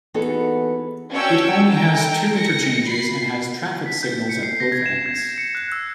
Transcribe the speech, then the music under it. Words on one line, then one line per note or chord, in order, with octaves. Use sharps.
It only has two interchanges and has traffic signals at both ends.
E3 B3 D#4 F#4 G#4 A4
C#4 D4 F#4 C#5 G5 E6
A4 G5 A#5
A#6 C#7
B5 C7
B6
G6
C#7
C7
A#6
G#6
E7
G#6
C#7
F#6
E6